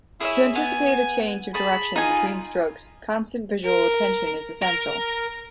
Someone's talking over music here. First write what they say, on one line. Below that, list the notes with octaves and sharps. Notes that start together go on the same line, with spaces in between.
To anticipate a change of direction between strokes constant visual attention is essential.
E4 G#4 C#5 E5
B3 G#5
G#4 A5 B5
D#4 F4 G#5
A#4
A#4 A#5